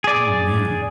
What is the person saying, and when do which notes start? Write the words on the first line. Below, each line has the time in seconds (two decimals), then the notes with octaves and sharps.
Oh man.
0.04 G#4 D5